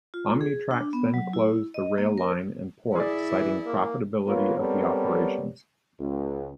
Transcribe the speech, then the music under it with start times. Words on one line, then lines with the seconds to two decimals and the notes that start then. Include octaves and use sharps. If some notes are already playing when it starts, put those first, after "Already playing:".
Omnitrax then closed the rail-line and port, citing profitability of the operations.
0.14 F4
0.41 G#4
0.71 D4
0.93 B3
1.14 F#3
1.33 E4
1.74 D#5
1.98 A#3
2.18 A#4
2.95 E4 G#4 D5
3.31 E3
3.66 A#3
4.26 A#3 B3 F4 A#4 B4 C#5
4.57 G3 B3 C4 A4 A#4 C#5
5.99 C#2